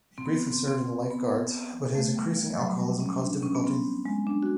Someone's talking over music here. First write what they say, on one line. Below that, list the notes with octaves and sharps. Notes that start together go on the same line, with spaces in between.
He briefly served in the Life Guards but his increasing alcoholism caused difficulty.
C4
B3
C4
C4
B3
A3
G3
F3
F#3
G3
C#4
D4
C#4
B3
C4
G#3
D4
F#4